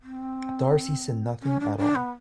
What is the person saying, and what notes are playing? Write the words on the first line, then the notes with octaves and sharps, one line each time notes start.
Darcy said nothing at all.
C4
C#4
D4
D4
B3